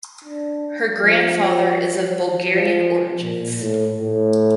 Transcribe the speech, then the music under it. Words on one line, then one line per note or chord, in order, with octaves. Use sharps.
Her grandfather is of Bulgarian origins.
D4
F3
F3
A#2
A2
A2